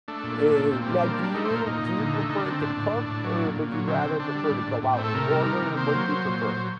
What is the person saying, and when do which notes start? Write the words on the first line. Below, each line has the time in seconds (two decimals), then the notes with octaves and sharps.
Eh, now do you do you prefer to cook, or would you rather prefer to go out and order? What do you prefer?
0.08 A3 D4
0.24 A#2
0.40 A3
0.55 A#2
0.71 A#2 C4
0.82 C4
0.87 G3
0.92 D4
1.02 A#3 C4
1.13 D4
1.18 G3
1.24 D4
1.34 A3 D#4
1.45 C5
1.50 A#2 A#4
1.66 A#2 D#4
1.82 A#2
1.98 D3
2.14 A3
2.29 D3 D#4
2.40 D4
2.45 D3 C4
2.61 A2 D4
2.77 A2
2.92 A2
3.08 A2
3.24 F#3
3.40 A#2
3.56 A#2
3.72 F#3
3.87 D3 C4
4.03 D3
4.19 D3 D4
4.35 G3
4.51 A2
4.67 A2
4.82 A2
4.93 C4
4.98 A3
5.04 A4
5.14 C3 A#4
5.30 G3
5.46 D#3
5.62 C3
5.77 A#3 C5
5.94 F#3
6.09 F#3
6.25 A#2
6.41 F#3
6.56 F#3